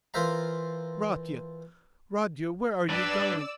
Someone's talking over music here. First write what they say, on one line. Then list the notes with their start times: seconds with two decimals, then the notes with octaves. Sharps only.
Rodya, Rodya, where are you going?
0.14 E3 F4 A#4 C5 E5 A#5
2.90 D4 B4 D5 E6